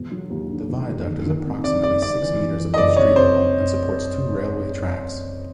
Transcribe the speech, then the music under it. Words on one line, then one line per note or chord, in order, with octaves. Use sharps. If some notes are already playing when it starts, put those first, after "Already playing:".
The viaduct is approximately six metres above street level and supports two railway tracks.
Already playing: E1
F#3
D#2
D3
E1
D#2
D#3
D#3
C3
C3 D5
G3 D5
C3 D5
E3
E2
E3
D#5
F#1 D5
C3 C#5
C3 C5